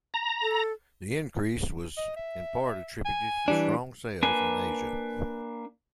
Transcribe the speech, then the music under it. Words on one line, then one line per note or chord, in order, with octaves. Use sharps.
The increase was in part attributed to strong sales in Asia.
A#5
A4
D#5
E5
G#5
E3 G3 D4
A#3 D4 B4 G#5